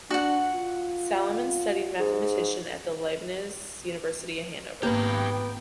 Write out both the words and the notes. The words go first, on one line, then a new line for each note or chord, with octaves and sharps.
Salamon studied mathematician at the Leibniz University Hannover.
D4 F#4 F#5
F4
G#2
G#1 A#3 B3 G4 B4 G5